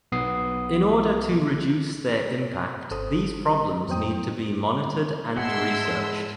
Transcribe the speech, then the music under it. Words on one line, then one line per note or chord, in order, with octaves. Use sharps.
In order to reduce their impact these problems need to be monitored and researched.
B1 B3 D#6 C7
G1 A4 C5 D#6
F2 F#3 B3 C5 G5 D#6
G#2 G#3 E4 G#4 F#5 A5 C6 E6